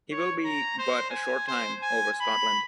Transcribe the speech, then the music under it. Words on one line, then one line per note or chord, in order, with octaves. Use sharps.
He will be but a short time over Scotland.
C#5
A#5
C5
G#5
C5
G#5
B5